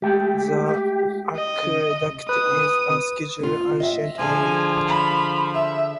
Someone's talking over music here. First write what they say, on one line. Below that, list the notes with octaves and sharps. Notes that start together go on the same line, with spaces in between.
The aqueduct is a scheduled ancient monument.
G#3 A3 G4 G5
D#5
B4 D#6
F4
D#5 E5
D3 F3 G#4 G#5 A5
B5
E5